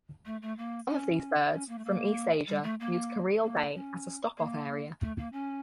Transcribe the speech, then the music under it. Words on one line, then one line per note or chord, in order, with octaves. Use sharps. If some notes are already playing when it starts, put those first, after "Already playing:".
Some of these birds, from East-Asia, use Careel Bay as a stop off area.
A3
A3
A#3
C#4
C#4
A#3
A3
A#3
G3
A3
A#3
A#3
C#4
A#3
A3
A#3
C#4